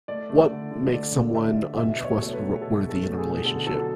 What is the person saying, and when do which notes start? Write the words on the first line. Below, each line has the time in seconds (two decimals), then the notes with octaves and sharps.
what makes someone untrustworthy in a relationship?
0.08 A3 D5
0.30 A3
0.51 D3
0.71 D3
0.93 A3 D5
1.14 A3
1.35 D3 E5
1.56 D3
1.77 B2 E5
1.98 F#3 B4
2.04 C#5
2.20 A3 A4
2.33 B4
2.39 B2
2.61 B2 A4
2.82 F#3
2.89 A4
3.03 A3
3.17 G#4
3.24 B2
3.45 D3 A4
3.66 F#3 A4